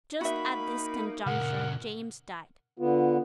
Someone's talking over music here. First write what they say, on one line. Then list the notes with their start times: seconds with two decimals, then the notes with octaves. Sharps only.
Just at this conjuncture James died.
0.21 A#3 D#4 F#4 E5 B5
1.26 A#2 C#3 A#4 F#5
2.79 D3 B3 F4